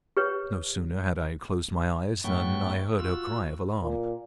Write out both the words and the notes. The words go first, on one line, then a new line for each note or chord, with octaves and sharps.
No sooner had I closed my eyes than I heard her cry of alarm.
G4 B4 C#5
G#2 F#3 A3 B3 G5 C#6
F4 F#4 E6
A#2